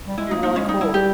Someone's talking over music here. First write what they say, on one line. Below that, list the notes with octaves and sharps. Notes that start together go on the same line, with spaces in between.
You're really cool.
G3
G#3 E4
D#4
A#3
D#4
G#3 C#4
G3 D#4
G3 E4
G3 G4